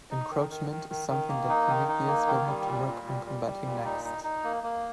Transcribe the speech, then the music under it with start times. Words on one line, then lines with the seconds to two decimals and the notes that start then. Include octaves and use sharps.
Encroachment is something that Prometheus will have to work on combating next.
0.11 D#4
0.30 D#3
0.50 D#3
0.70 D#3
0.89 D#3
1.09 D#3
1.29 A#3
1.49 D#4
1.68 D#3
1.88 D#4
2.07 A#3
2.27 D#3
2.47 G3
2.66 A#2
2.87 A#2
3.06 G3
3.26 G3
3.45 G3
3.65 A#2
3.85 D#4
4.05 D#4
4.24 D#4
4.44 A#3
4.63 A#3